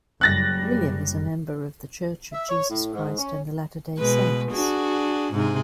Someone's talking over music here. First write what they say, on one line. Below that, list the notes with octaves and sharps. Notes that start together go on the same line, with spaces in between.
William is a member of The Church of Jesus Christ of Latter-day Saints.
F#1 F#2 G3 F#6 A6 A#6
E5
C#5
A2
G#2
C#4
B2 G#3 B4
D4 F#4 G#4
G#2 C3 G#4